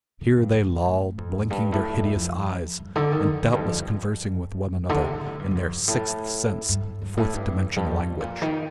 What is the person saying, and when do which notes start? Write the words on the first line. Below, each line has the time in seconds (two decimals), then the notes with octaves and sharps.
Here they lolled, blinking their hideous eyes, and doubtless conversing with one another in their sixth-sense-fourth-dimension language.
0.21 D3
0.37 G2
0.54 A2
0.85 A2
1.18 F2
1.50 G2
1.72 A2
1.93 F2
2.15 F2
2.79 G2
2.96 D3
3.12 D#3
3.28 F2
3.45 F2
3.53 G2
3.61 F2
3.77 G2
4.89 D3
5.02 C3
5.14 A#2
5.26 A2
5.39 G2
5.51 G2
5.55 F2
5.71 G2
5.88 A2
6.69 G2
6.85 G2
7.02 G2
7.17 A2
7.33 G2
7.67 F2
7.76 G2
7.86 F2
7.98 A2
8.20 A#2
8.42 D#3